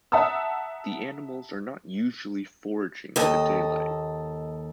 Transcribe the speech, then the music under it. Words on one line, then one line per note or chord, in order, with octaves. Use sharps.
The animals are not usually foraging in the daylight.
E5 F#5 A5 A#5 D#6 E6
D#2 A4 D#5